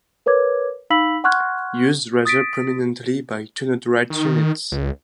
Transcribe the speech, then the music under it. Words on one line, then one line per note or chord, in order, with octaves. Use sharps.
Used rather prominently by 'Tunnel Rat' units.
A#4 B4 C#5 D6 G#6
D#4 F5 B5 E6 B6 F#7
F#5 C6 C#6 F6 F#6 G#6
D#6 A6 B6 D7
D#3
C#2